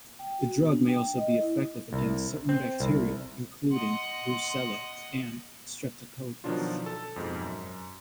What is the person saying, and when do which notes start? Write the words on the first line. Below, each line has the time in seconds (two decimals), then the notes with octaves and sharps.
The drug may also be effective against certain bacteria including "Brucella" and "Streptococcus".
0.19 G5
0.39 F#4
0.56 B3
0.69 D4
0.88 G5
1.17 D#5
1.40 E4
1.93 C2
2.49 C4
2.80 C2
3.71 D#5 F#5 C6
6.44 B2 D#3 F3 F#3 D4 F4
6.86 A4 A5
7.16 F2 G#2 B2
7.41 F#2